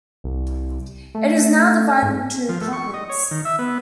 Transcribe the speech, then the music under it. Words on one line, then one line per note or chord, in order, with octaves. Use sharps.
It is now divided into apartments.
C2
A3
G#2
F3
A3
C#6
D#5
C#5
D#3
E5
B3